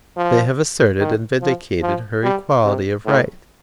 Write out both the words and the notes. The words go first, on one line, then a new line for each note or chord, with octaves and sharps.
They have asserted and vindicated her equality of right.
F3
D#3
F3
F3
G3
C3
A2